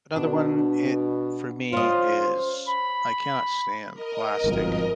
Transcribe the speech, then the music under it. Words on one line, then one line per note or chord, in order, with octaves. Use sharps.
another one i for me is, I cannot stand plastic.
B2 D4
C#4 F4 C5 D#5
B5
A#4 D#5
G1 F2 G#2 B2